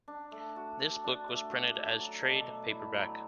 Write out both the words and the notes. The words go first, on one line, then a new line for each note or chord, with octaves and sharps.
This book was printed as a trade paperback.
D4
A3
F#4
A4
D4
A3
F#4
A4
F#3
B2
A3
E4
F#3